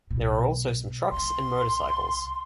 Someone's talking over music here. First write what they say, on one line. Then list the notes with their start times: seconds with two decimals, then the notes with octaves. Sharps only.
There are also some trucks and motorcycles.
0.11 B1 B2
1.12 C2 C6